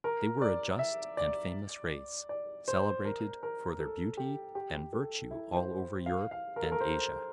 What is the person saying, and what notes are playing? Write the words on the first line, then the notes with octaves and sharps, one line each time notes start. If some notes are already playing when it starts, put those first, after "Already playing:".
They were a just and famous race, celebrated for their beauty and virtue all over Europe and Asia.
A#4
D5
E5
D5
D5
C5
A#4
A#4
A4
G4
G4
A4
E4
C5
F5
F5
A#4
A4
A#4
C5